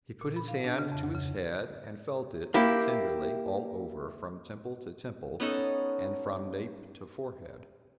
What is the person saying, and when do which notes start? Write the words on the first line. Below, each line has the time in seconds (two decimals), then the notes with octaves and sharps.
He put his hand to his head, and felt it, tenderly, all over, from temple to temple, and from nape to forehead.
0.21 A#2
0.36 B5
0.48 F5
0.64 D4
0.79 C#3
0.92 F2
1.03 D2
1.14 C#3
2.54 A#3 E4 G4
5.40 B3 C#4 D#4 A4